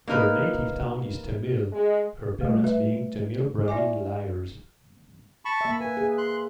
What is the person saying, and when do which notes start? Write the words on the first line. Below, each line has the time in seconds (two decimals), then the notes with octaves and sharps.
Her native tongue is Tamil, her parents being Tamil Brahmin Iyers.
0.08 A#3 D#4 A#4 B4
1.72 G#3
2.41 G3 A3
2.64 B4 E5
3.68 E4 D5 E5 G#5 D6
5.45 A5 B5 C#6
5.61 A#3 E5
5.81 B4 G#5
5.97 G#4
6.18 C6 F#6